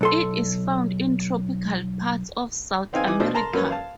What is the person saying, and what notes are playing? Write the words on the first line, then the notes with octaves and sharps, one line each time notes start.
It is found in tropical parts of South America.
B1 A4 C6
B3 C4 D#4 F5 G#5
E3 D#4 G#5 D6
B2 D4 C5
A#4 A5 A#5 C6
F#2 A#3 C#4 B4
F5 A5